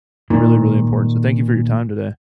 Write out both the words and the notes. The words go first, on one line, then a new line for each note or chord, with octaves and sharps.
really, really important. So thank you for your time today.
A#2 D#3